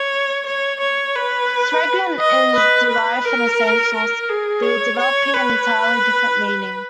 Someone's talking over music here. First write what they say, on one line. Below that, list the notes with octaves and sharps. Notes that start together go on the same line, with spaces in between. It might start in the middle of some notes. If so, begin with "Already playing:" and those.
"Sergeant" is derived from the same source, though developing an entirely different meaning.
Already playing: C#5
C#5
C#5
B4
D#5
B4
B4
A#4
A#4
G#4
C#5
C#5
B4